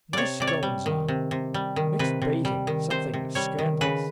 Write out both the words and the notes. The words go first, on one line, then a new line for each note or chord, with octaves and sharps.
Nice goings on! Mixed bathing--something scandalous.
C3 C#5 D5
C3 D5
C#5
G3
D#3
C3
C3
G3
D#3
C3 B4
C3
G3
D#3
C3 C5
C3
G3 C#5
D#3
C#3 B4